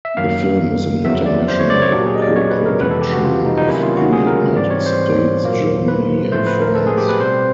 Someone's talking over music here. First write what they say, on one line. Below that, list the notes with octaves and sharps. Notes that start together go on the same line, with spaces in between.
The film is an international co-production of the United States, Germany and France.
E5
F#2 D#3 F#3 A#3 F5
F2 C#3 F#3 B3 E5
D5
C5
C#5
D5
C#5
A#2 F#3 A#3 D4 G4
G#4
D#5
D5
C#5
B4
A#4
F2 C3 E3 G#3 B3 B4
A4
G4
F#4
F4
D#4
D#4
C3 D#3 F#3 A#3 C#4 E4
F4
F#4
G#4
A#4
G#2 E3 G3 C4 D5
C#5
C5
A#2 F#3 A#3
B4
A2 F3 A3 C5
B4
A#4
A4
G#4
G4
B4
B2 G3 C4 C5